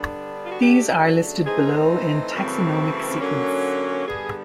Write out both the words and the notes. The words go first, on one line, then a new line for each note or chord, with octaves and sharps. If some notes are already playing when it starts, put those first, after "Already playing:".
These are listed below in taxonomic sequence.
Already playing: D3 G3 B3 D4
F4
F#4
C#3 F#3 A3 D4 G4
E3 A3 C4 D#4 G#4
F#2 C#3 E3 A3 C4
D3 F#3 A#3 C#4
G2 D3 G3 B3 G#4